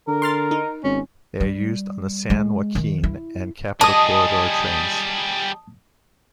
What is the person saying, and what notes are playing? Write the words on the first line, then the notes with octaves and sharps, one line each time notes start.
They are used on the "San Joaquin" and "Capital Corridor" trains.
D3 A#4
C6 F6 A6
D#4
G#1 C#4
G3
G#3
D#3
E4
G3 G#4 D#5 A5 D#6